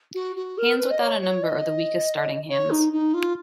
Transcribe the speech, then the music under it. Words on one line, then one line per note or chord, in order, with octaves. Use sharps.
Hands without a number are the weakest starting hands.
F#4
F#4
A#4
B4
D#5
C#5
C#5
D#5
C#5
D#4
D#4
F4